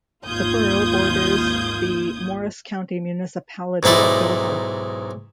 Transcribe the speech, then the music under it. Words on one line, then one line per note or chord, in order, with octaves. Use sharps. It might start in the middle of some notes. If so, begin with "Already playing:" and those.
The borough borders the Morris County municipality of Dover.
G#1 D#2 F4 D#6 G6 G#6
B1 G#2 D#4 E4 D5